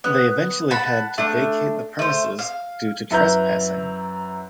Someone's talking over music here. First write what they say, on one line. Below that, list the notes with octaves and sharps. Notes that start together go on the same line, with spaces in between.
They eventually had to vacate the premises due to trespassing.
B3 F#6
F#5 A5 B5
A3 D4
A3 C5
F5
F#2 E4 B4 A#5 G6